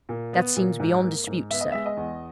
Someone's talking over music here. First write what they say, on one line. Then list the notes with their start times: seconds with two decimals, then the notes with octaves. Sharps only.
"That seems beyond dispute, sir."
0.09 A#2
0.33 B3
0.56 A#2
0.80 G#2
1.03 A#3
1.27 G#2
1.51 B3 E5
1.61 D#5
1.72 G#3 E5
1.86 D#5
1.97 E2